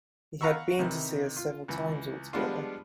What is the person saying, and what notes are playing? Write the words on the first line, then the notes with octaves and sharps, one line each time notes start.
He had been to see us several times altogether.
F5 F#5 A#5 B5 C#6 E6
C3 D#3 E3
F4
C#2 E3
F3 G3 G#3 B3 D4 F4